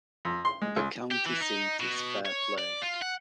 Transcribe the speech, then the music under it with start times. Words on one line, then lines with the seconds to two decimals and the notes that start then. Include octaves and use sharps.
The county seat is Fairplay.
0.25 F2
0.45 C6
0.62 G#3
0.76 C#2
1.12 G4
1.26 E3
1.41 D#4
1.80 B2
2.25 C#5
2.58 D5
2.82 F4
3.02 F#5